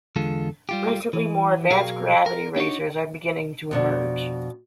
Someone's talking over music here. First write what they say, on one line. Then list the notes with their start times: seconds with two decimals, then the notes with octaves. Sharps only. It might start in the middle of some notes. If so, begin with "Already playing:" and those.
Recently, more advanced Gravity racers are beginning to emerge.
0.16 E2 D3 G#3 F4 A4
0.69 G3 F4 G4
1.13 E3
1.71 B1 F#4 G#4 A#4 F5
2.26 A#4
2.56 D4 D#4 F#4 C#5
3.71 F2 B2 D4